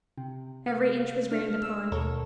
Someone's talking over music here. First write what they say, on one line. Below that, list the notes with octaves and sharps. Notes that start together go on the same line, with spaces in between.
Every inch was rained upon.
C3
B3 F5
D4 F6
E6
D#2 B2 A4 A#4 C#5